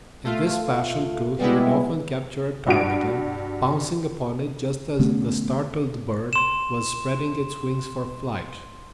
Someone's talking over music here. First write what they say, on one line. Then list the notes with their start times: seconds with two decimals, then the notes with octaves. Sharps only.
In this fashion, too, he would often capture a ptarmigan, pouncing upon it just as the startled bird was spreading its wings for flight.
0.25 A3 F4
1.39 G3 G#3 B3 E4
2.67 G2 F#4 D7
4.99 D3 A3 B3 C#4
6.33 C6 E7